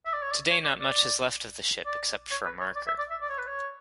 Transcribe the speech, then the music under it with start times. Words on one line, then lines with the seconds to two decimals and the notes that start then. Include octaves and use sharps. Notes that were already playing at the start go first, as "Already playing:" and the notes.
Today not much is left of the ship except for a marker.
0.05 E5
0.13 D5
0.22 C#5
0.31 D5
0.51 C#5
0.64 D5
0.81 D5
1.86 D5
2.31 C#5
2.45 B4
2.61 C#5
2.75 D5
2.87 E5
2.98 D5
3.10 E5
3.21 D5
3.29 C#5
3.38 B4
3.47 C#5